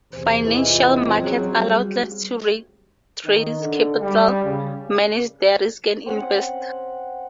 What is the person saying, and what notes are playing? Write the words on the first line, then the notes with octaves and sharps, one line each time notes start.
Financial markets allow clients to raise capital, manage their risks and invest.
E2 C3 C5
E3 F4 D#5
C4
F#3 C#4 F#4 G#4
G3
D#3
D3
G3
C#3
C4 C#4 F#5